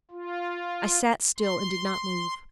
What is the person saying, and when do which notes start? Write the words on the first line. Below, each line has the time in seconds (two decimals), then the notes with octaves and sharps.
I sat still and did not move.
0.11 F4
1.38 C6